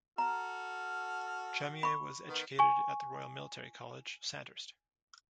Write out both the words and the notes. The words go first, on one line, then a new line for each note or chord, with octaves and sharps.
Chamier was educated at the Royal Military College, Sandhurst.
F#4 A4 A#5 F6
B5 C#6
D#3 B3
G#5 C#6